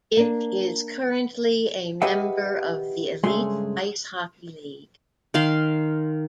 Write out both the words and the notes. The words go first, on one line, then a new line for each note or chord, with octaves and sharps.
It is currently a member of the Elite Ice Hockey League.
A#3 D4
G4 G#4 B4 D#5 E5 F#5
G2 C#3 G#3 A3 G#4 C6
D#3 F5 C6